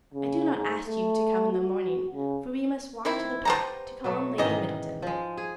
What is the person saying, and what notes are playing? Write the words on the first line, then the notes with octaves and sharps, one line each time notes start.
"I do not ask you to come in the morning, for we must walk to the park, to call on Lady Middleton."
C#3
G#2
A3
F#4
C#3
D#3 C4 E4
B3 G4 C5 A5 A#5
B2 F#3 A3
G#2 D#3 E3 C#4 D#5
F3 G#3
G#4